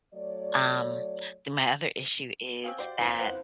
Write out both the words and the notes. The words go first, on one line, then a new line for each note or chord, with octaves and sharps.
Um, the my other issue is that,
F#3 A3 C#5 D5
C4 C#4 G#4 F5
F#4 G4 C5 D5
F#1 F2 B4 C5
B3 C5 F#5 C6